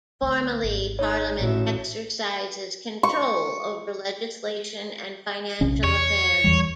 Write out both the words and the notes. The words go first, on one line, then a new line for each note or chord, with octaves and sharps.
Formally, Parliament exercises control over legislation and financial affairs.
D2
G#1
D#4 C#5
A1 A2 F#4 E5
C#6
A#1 C3 C#4
E2 C#5
E2 E3 G3